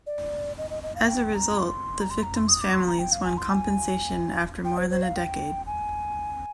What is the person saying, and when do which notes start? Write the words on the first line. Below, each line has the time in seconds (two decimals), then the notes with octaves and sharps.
As a result, the victims' families won compensation after more than a decade.
0.07 D5
0.58 D#5
0.70 D#5
0.83 D#5
0.95 F5
1.08 G5
1.34 A#5
1.59 C6
2.01 A#5
2.10 C6
2.23 A#5
2.36 C6
2.48 D#6
2.61 D6
2.74 C6
2.86 A#5
2.99 G5
3.12 F5
3.24 G#5
3.38 C6
3.50 G#5
4.65 G5
4.77 C5
4.90 C5
5.03 F5
5.16 G5
5.66 G#5